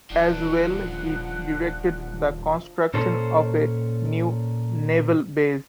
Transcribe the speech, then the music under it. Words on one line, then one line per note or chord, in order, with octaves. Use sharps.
As well he directed the construction of a new naval base.
D#1 F3 D4 F#5
A#2 C#4 A4 C5 C#5